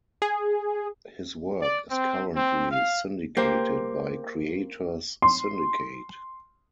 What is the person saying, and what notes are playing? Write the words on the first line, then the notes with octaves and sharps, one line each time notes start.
His work is currently syndicated by Creators Syndicate.
G#4
D5
C4
C4
F5
A#3 G4 C5
C6